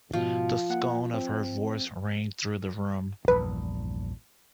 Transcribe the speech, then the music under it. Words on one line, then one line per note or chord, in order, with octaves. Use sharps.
The scorn of her voice rang through the room.
G#2 B2 F3
A#3 F#5
C4
A#1 E2 G2 B4